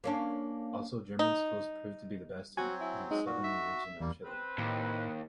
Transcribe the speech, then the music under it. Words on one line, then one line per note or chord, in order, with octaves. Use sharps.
Also German schools proved to be the best in the Southern region of Chile.
A#3 C#4 D4
D#4
F#3 C4 F#4 G#5
E4
G#3 D#4
A#2 F#4
E5
E2 G3 A#3
C4 B4
D#2 A2